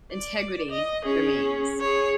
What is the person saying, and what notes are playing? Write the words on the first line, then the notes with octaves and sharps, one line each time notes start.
integrity remains.
D5
D#5
C#4 G#4
G#4 C#5